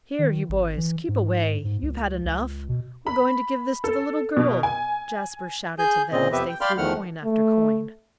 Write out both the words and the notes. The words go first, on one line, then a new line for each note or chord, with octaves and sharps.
"Here, you boys, keep away; you've had enough; we're going to give this to the little girl," Jasper shouted to them as they threw coin after coin.
D#3
G#1
E3
G#2
G#2
C#2
C#2
B2
B5
A4
B2
G#5
G#4 G#5 G6
A#2 C#3 C4 D#5
F2 C3 B3 G4 B4 E5
G5
D5 F5 G5 B5 C6 F6
E2 D#3 F3 A3 F#5 F6
A3